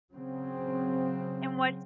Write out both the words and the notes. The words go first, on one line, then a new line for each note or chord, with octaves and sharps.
And what's
C#3 F#3 C4